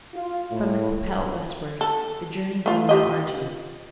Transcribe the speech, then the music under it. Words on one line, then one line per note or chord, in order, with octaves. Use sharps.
From the Qu'Appelle westward the journey grew more arduous.
F4
A2
A4
A3 F4
F3 G4 D#5